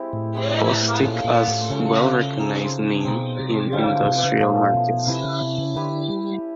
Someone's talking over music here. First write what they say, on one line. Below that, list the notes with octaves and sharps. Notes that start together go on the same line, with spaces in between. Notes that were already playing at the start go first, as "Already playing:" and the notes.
Bostik has well recognized name in industrial markets.
Already playing: G#3 C4 E4 G4
A2
G#3 C4 E4 G4
A#2 A3 C#4 F4
A#2
A2
C#3 A3 C#4 F4
C4 D#4 G#4
B2 C4 D#4 G#4
C3
D3 F3 A3 C#4
D3
B2
C3
C#3
A#2 F3 A3 C#4
B2
C3 E4 G4 B4 E5
C#3
C3
C#3
D3 E4 G4 B4 E5
G3